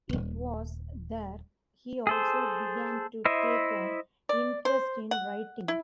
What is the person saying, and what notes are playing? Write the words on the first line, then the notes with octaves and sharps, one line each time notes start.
It was there he also began to take an interest in writing.
D#1 G#1
G#4 A4 C5
E4 C5 D#5 E5
D5
C5
F#5
E4